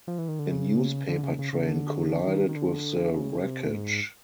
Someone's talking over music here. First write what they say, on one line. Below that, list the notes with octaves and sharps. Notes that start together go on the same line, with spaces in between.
A newspaper train collided with the wreckage.
F3
E3
D#3
D3
C#3
D3
C#3
C#3
C#3
D3
D#3
D#3
D3
C#3
C3
A2
G#2